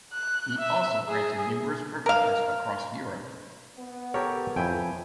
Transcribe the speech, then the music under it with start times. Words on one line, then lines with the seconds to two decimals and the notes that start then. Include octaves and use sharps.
He also granted numerous privileges across Europe.
0.14 F#6
0.59 E5
1.09 G#4
2.06 A#4 F5
3.78 B3
4.14 G4 A4 A#4 C#5
4.56 F2 E4 G5 G#5